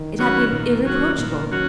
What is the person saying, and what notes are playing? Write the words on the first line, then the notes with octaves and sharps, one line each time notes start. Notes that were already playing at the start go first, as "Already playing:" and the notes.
It had been irreproachable.
Already playing: D#3
F#3 C#4 F#4
A#2 D#3
F#3 C#4 F#4
A#2
F#3 C#4 F#4